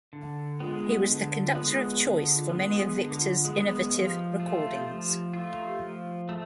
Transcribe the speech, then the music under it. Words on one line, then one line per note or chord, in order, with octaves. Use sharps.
He was the conductor of choice for many of Victor's innovative recordings.
D3
G#3 B3
D3
G#3 B3
D3
G#3 B3
D3
G#3 B3
F3
A3 F4
F3
A3 F4
F3
A3